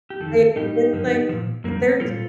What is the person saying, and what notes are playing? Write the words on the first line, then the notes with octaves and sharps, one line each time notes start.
they it's like, uh, they're, t
G4
F2 D#3 A4
A2 G3 D#4 G4
G2 D3 F3
A#2 F3
F2 D3 G3 A#3
A#2 G3 F4 A4